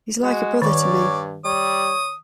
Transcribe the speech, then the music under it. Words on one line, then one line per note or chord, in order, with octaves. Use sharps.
He's like a brother to me.
G#3 F#4
G2 D#3 C#5 D5
G3 C#5 D#6